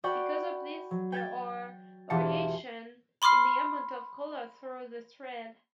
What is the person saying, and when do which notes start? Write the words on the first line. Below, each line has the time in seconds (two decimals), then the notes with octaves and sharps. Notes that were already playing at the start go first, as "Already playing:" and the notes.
Because of this, there are variations in the amount of color throughout the thread.
0.04 F#4 D5 F#5 G5 B5 C#6
0.91 F#3
1.12 G5 G#6 A6
2.10 E1 E3 F4 G4 A5 C#7
3.22 B5 C6 D6 F6 C7